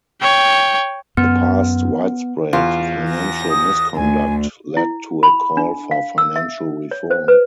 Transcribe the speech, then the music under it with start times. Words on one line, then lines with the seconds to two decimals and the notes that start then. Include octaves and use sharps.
The past widespread financial misconduct led to a call for financial reform.
0.21 C#5 G5
1.17 F#2 B3
2.53 E2 F4
3.09 A#6
3.50 D#6
3.96 D2 G#5
4.77 E4
5.23 B5
5.57 D4
5.91 F5
6.18 E6
6.36 E5
6.91 C#5
7.11 C5
7.28 B4